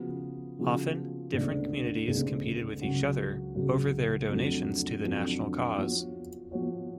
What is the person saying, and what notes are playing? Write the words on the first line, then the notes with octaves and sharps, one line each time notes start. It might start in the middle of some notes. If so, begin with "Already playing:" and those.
Often, different communities competed with each other over their donations to the national cause.
Already playing: C#3 F3 B3 F#4
C#3 F3 B3 F#4
D2 C#3 G#3 B3 D4
D2 C#3 G#3 B3 D4
C#2 C#3 F#3 C#4 F#4
C#2 C#3 F#3 C#4 F#4
F2 D3 F#3 A3
F2 D3 F#3 A3
F3 B3 F#4 C#5
F3 B3 F#4 C#5